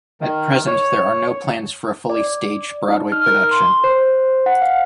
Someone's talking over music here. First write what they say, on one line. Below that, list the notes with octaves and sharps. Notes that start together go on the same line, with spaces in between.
At present, there are no plans for a fully staged Broadway production.
D#3
C#5
D5
D#4
F6
A#4
C6
C5
F#5
F5